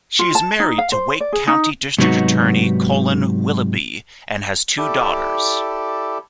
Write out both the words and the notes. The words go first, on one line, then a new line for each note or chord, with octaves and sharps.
She is married to Wake County district attorney Colon Willoughby and has two daughters.
F4
A5
D#4
F5
C5
D5
G#4
D#4
G#2 C3 F#3 B3 D#4 F#4
E4 G4 A4 D5